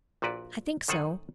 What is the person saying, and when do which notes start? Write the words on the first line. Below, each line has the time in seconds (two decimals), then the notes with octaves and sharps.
"I think so."
0.22 A#1 A#2 F#4 B4 D5
0.88 F#2 D#3 A4 C5 F#5 G#5